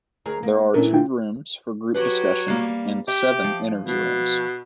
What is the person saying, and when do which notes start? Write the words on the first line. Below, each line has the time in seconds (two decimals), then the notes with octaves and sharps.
There are two rooms for group discussion, and seven interview rooms.
0.26 D2 G#4 A#4
0.43 A#3
0.74 A#2 E3 A3 C#4 D4 A#4
0.94 F4 G5
1.94 F#3 F#4 G4 B4
2.48 G3 A#3
3.08 G4 E5
3.44 F3
3.87 B2